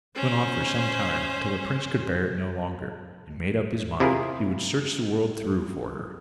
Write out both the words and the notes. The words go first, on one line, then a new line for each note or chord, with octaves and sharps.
This went on for some time, till the prince could bear it no longer, and made up his mind he would search the world through for her.
C#4 C5
C3 E4 F4 G#4 A#4